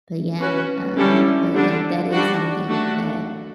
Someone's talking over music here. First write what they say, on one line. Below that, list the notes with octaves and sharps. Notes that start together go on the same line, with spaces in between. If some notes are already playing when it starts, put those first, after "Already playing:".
but, yeah, um, but yeah, that is something that
C#4 F#4 B4
D3 G3 C#4 E4 A4
D3 G3 D4
G3 D4 F#4
A3 D4 F#4